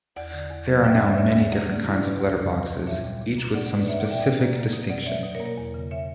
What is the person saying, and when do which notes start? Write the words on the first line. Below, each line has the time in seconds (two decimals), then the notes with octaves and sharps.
There are now many different kinds of letterboxes, each with some specific distinction.
0.16 E2 D5 F#5
0.33 D3
0.50 E2
0.67 F#3
0.84 E2 E5 G5
0.96 D5 F#5
1.01 D3
1.07 C#5 E5
1.18 E2 C#5 E5
1.29 C#5 E5
1.35 G3
1.41 C#5 E5
1.52 F#2 D5 F#5
1.69 C#3 D5 F#5
1.85 F#2 E4 G4
2.02 F#3 B4 D5
2.20 D2
2.36 C#3
2.54 D2
2.70 F#3
2.87 A#2 C#5 E5
3.04 G3
3.21 A#2
3.38 A#3
3.54 A#2 D5 F#5
3.66 D5 F#5
3.71 A#3
3.77 B4 D5
3.88 A#3 C#5 E5
4.00 D5 F#5
4.05 A#2
4.11 E5 G5
4.22 B2 D5 F#5
4.40 A#3
4.56 A#3
4.73 B2
4.90 B2 D5 F#5
5.06 F#3 C#5 E5
5.23 B2
5.35 A#4 C#5
5.40 A#3
5.46 A#4 C#5
5.57 E2
5.74 C#3
5.91 C#5 E5